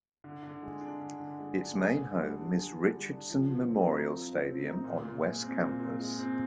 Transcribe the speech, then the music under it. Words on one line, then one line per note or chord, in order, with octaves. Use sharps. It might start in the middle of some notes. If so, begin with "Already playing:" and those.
Its main home is Richardson Memorial Stadium on West Campus.
D3
D3
G#3
D4
D3
D3
G#3
D4
G#4
D3
G3
D4
G#4
D3
G3
D4
F3
F3
C4
D#4
F3
F3
C4
D#4
A#2
A#2
G#3
C4
A#2
A#2
G#3
C4